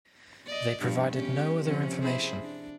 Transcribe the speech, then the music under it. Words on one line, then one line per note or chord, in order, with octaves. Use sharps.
They provided no other information.
D5 D#5
G2 B2 F3
E2 C#4 G4
C3 F3 C#4
E4 G#4 C5
D4